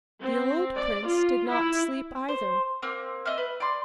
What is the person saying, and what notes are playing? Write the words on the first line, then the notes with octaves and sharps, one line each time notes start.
The old prince did not sleep either.
C4
D5
F4
E4
C5
A#3 C4
D#5 E5 F6
B4
D5 C6